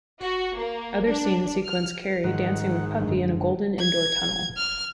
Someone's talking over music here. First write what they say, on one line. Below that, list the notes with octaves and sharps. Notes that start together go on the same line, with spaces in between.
Other scenes sequence Carey dancing with Puffy in a golden indoor tunnel.
F#4
A#3
D4
F6
G#2 D#3 F#5
F#2 D3 G#3
G#6
F6